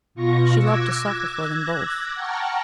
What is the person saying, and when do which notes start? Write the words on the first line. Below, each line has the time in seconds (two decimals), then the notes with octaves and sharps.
She loved to suffer for them both.
0.15 B2 F4 C#6 A#6
0.58 D6 E6 F#6 G#6 A#6
2.14 F#5 G5 A5 A#5 C#6 F6